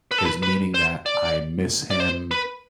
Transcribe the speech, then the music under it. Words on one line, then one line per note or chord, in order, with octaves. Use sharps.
is meaning that I miss him,
B4
A4
B4
B4
C5
D5
D5
C5
B4